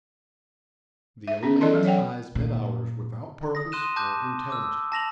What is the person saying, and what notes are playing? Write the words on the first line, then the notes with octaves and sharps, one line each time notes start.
The old lady's eyes met ours without purpose or intelligence.
E5
B3 C#4 G#4
E3 A4 D5 D#5 A5 C6
E3 F#3
C#5 D5 F#5 G5
A#2
D#6 A#6
C6 D#6 F#6 D#7 E7
A5 D6 F#6 G6
D6 E6
A5 A#6 F7 F#7